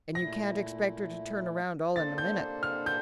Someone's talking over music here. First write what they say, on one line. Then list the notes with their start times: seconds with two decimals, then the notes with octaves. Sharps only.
And you can't expect her to turn round all in a minute.
0.15 A#2 A3 E4 A#6
1.96 A#3 D4 A4 C5 A6
2.18 G6
2.63 F6
2.86 G6